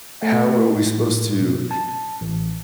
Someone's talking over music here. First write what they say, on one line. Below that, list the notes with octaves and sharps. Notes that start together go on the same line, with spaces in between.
how are we supposed to
A3
D#4
A2
B2
A5
A1